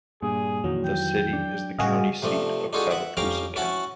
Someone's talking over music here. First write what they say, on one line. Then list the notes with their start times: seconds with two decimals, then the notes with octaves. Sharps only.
The city is the county seat of Tallapoosa County.
0.22 G2 A#2 G#4
0.64 F2 D#3 E3 F#3
0.85 G5
1.33 D4
1.79 A2 C#3 G3 F#4 G#4 D#5 F5
2.22 C3 F3 A3 D4
2.73 D4 D#4 F4 F#4 G#4 A4
2.91 E5 F#5
3.17 F2 C#4 G4 F5 A#5 D6
3.56 C#4 E4 F#4 F#5 A5